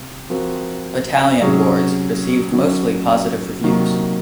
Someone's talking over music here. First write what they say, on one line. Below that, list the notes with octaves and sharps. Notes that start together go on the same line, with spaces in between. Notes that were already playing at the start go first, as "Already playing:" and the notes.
"Battalion Wars" received mostly positive reviews.
Already playing: C3
F3 C4 F#4 A#4
C3 F#3 C#4 G#4 C#5
D#3 F#3 C#4
C3 D#3 F#3 A#3